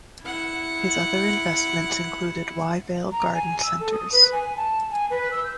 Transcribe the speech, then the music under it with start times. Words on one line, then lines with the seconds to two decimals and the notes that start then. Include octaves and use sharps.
His other investments included Wyevale Garden Centres.
0.21 E4 F#5
3.12 A#5
3.34 G#5
3.63 E6
3.80 A4
3.92 D#6
4.12 B4
4.32 G#5
4.57 A5
4.91 G#5
5.10 B4
5.31 E6
5.44 G6